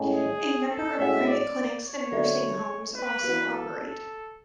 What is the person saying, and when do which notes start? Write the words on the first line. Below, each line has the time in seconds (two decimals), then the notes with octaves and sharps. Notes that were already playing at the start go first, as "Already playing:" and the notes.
A number of private clinics and nursing homes also operate.
Already playing: A2 G#3 C#4
0.14 G#4
0.70 A4
0.99 A2 G#3 C#4 F#4 E5
1.28 D5
1.84 C#5
2.12 D3 F#3 A3 D4
2.95 B4
3.24 E3 B3 F#4
3.52 A4
3.80 A4